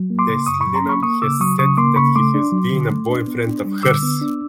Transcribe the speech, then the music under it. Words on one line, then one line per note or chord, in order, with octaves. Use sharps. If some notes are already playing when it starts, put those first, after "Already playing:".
Des Lynam has said that he has been a boyfriend of hers.
Already playing: F#3
A#3
C6 D6
C#3
F#2 C#6 D#6
B5 C#6
F#3
A#5 C6
A#3
B5 C#6
A#3 C#6 D#6
C#3 D6 E6
F#3 C#6 D#6
C#3 C#6 D#6
A#3 C6 D6
C#3 B5 C#6
A3 C6 D6
D4
F#3
D3
A3
D4
B3
D4
G3
D3 D6 E6
B3
D4